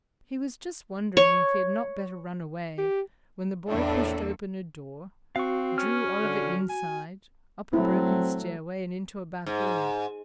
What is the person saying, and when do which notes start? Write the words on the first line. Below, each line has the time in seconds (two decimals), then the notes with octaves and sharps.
He was just wondering if he had not better run away when the boy pushed open a door, drew Oliver inside, up a broken stairway and into a back room.
1.17 C#5
2.78 G4
3.68 E2 A2 A#3 D4 A4 D5
5.36 C4 F#4 F5 C#6
5.78 C#4 F6
6.23 D3
6.69 G#5
7.73 F#3 A3 C4 E4
9.46 G#2